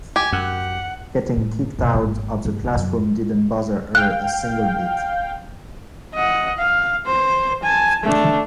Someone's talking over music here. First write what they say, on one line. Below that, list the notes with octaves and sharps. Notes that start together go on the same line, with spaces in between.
Getting kicked out of the classroom didn't bother her a single bit.
G4 G#5
F#2 F#5
A2
G2 B2
G#1 A#3
G1
E1 C2
F#2
F5 G5 F#6
D#5 F#5
F5
C5
G#5 A5
A3 D4